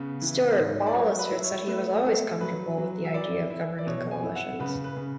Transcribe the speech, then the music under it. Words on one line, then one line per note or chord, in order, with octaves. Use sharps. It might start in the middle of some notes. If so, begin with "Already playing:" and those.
Stuart Ball asserts that he was always comfortable with the idea of governing coalitions.
Already playing: C#3 B3
E3
G#2
D5
F#3 C#5
B4
E4
C#5
A3 B4
A3 A4
F#3 B4
F#3
E5
E4 D5
E4
D5
B2 C#5
G#5
E4
F#5
C#3 B4
B4
C#3